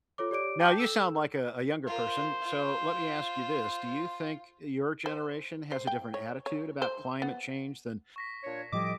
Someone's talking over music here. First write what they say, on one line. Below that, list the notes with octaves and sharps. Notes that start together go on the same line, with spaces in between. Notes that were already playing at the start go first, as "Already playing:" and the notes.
Now, you sound like a a younger person, so, let me ask you this, do you think your generation has a different attitude about climate change than
F4 A4 C#5 D6
G4 C#5 D5 D6 D7
G5 A5 D6 G6
A4 E6 E7
F4 A#4 C5
F4
C5
C5
G5
C#5
C#5
C5
B3
C#6 A#6 B6
A#2 D4 C#5
A2 F3 G3 G4 A4 D#5 D6